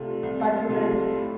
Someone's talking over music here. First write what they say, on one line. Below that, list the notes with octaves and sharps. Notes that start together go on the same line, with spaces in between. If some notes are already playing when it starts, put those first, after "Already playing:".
But he lives.
Already playing: C2 C3 A3 F4 A4
C2
C3 A3 F4 A4
A2